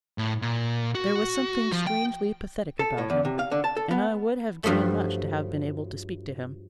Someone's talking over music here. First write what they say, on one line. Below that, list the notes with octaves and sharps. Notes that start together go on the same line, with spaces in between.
There was something strangely pathetic about him, and I would have given much to have been able to speak to him.
A2
A#2
F#4
F3
G5
A4
A2
E2
C3
F5
D3
A5
A4
B3
G2 F3 F#3 A3